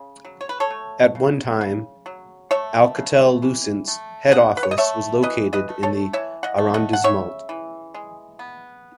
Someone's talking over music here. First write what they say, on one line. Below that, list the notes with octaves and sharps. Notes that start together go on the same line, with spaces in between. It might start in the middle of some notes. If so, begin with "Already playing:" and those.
At one time Alcatel-Lucent's head office was located in the arrondissement.
Already playing: C#3
F#3
C#5
B4
A4 C#5
A3
C#3
C#3
F#3
A3 C#5 E5
C#3
E3
A3
E3 D#5 F#5
B4
C#5
D#5
A3 C#5 E5
E3 B4 D#5
B4 D#5
A3
A4 C#5
E3 C#5 E5
D#5 F#5
A3
D#5 F#5
F#5
C#3 C#5 E5
E3
G#3
B3